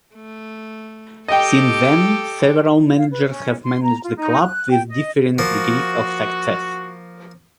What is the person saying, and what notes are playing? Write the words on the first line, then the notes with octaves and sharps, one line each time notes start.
Since then, several managers have managed the club with differing degrees of success.
A3
G4 A4 D#5 G5
F5
B4
C#4
C6
A#5
F4
D#4
F#6
G5
D#5
F3 A#3 F#4